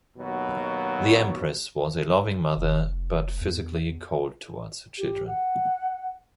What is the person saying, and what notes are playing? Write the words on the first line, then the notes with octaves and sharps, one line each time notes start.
The Empress was a loving mother, but physically cold towards her children.
D#2 B2 F#3 F#4
F1
E2
G4
F#5